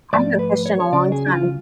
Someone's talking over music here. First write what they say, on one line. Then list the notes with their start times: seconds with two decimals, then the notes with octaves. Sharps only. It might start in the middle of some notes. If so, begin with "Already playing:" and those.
I haven't fished in a long time.
0.13 G#2 F3 A3 D5
0.39 B4
0.66 C#5
0.80 C#5
0.92 C#2 C#3 F#3 C#4 D5
1.12 G#4
1.26 D4
1.32 F4